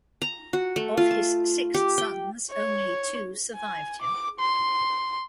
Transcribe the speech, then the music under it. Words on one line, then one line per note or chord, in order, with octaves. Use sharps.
Of his six sons, only two survived him.
A#5
F#4
A3
F4
A5
G4
G5
C#5
G#5
D6
C6